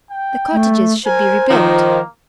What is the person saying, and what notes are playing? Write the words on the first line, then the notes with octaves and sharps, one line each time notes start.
The cottages should be rebuilt.
G5
A3
A#4 C5 G#5
D#3 F3 A#3 A#5